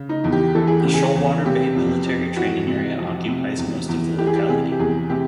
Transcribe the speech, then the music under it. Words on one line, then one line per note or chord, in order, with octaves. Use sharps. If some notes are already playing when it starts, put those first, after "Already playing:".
The Shoalwater Bay Military Training Area occupies most of the locality.
Already playing: C#3
D#4
E2
G4
E3 A4
G#4
C#3 G4
G#4
E2
C3 G4
F2
F2
E3 F#4
C3
F2
C3
E2
E2
E3 G4
G#4
G4
C3 G#4
G4
E2 G#4
C3 G4